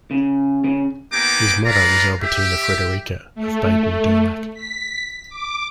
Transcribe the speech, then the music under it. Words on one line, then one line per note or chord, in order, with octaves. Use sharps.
His mother was Albertina Frederica of Baden-Durlach.
C#3
C#3
A#3 B3 D#4 G4 G#5 D6
G#3 B4 D5 F5 A#5
G4 E5
A3
B6
D6